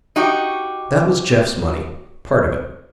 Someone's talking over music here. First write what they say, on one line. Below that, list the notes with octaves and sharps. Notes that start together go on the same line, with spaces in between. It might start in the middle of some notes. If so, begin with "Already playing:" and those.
That was Jeff's money--part of it.
D#4 F#4 G4